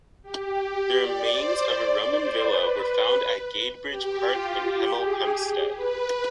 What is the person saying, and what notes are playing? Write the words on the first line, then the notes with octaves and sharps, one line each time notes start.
The remains of a Roman villa were found at Gadebridge Park in Hemel Hempstead.
G4
D5
C5
D5
C5
B4
G4
F4
G4
G#4
B4